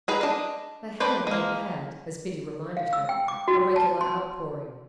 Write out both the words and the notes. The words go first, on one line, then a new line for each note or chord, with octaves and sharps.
They hadn't yet had, as Biddy reminded her, a regular outpouring.
D#4 G#4 B4
D4 D#5
A3 B4 C5 D5
G#3 A#3
F5
E6
G5
D6
F#4
A5
C6